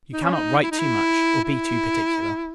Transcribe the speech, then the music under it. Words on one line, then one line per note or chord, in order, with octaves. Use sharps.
You cannot write too much, or be too particular.
D#4
C#4
D#4
E4
D#4
E4
E4